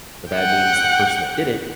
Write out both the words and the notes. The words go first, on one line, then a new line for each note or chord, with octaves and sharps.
but that means the person that did it
F#5 G5